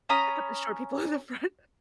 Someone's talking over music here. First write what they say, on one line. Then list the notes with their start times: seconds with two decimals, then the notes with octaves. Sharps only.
They put the short people in the front.
0.09 C#4 A#5 B5 D#6